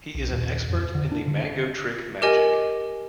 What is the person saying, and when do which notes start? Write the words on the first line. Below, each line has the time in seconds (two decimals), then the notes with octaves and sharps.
He is an expert in the "Mango Trick" magic.
0.15 B1
0.31 D#1
0.69 F2
0.95 D3
1.12 D4
1.28 D3
2.22 G4 A#4 D#5 G#5